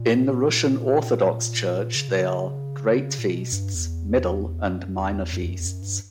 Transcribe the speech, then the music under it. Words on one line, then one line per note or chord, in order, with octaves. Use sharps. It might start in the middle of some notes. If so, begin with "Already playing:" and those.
In the Russian Orthodox Church they are: Great Feasts, middle, and minor feasts.
Already playing: A#2
C#3
B2
C#3
A#2
B2
G2
E2
F#2
E2
F#2
E2
F#2
E2
F#2
G2